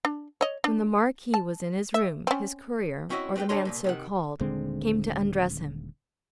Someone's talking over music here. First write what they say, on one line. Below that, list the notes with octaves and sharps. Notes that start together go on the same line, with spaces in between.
When the Marquis was in his room, his courier, or the man so called, came to undress him.
D4
C#5 D#5
D4
A5
E5
C4 C#4
C4 C#4 E4 F#4 D#5 E5
C4 G4 B4 C5 G5
D3 G3 D4 C#5 D#5 C6
C2 F2 A#2
C3 D#3 F#5
D#1 D3 G#3 C4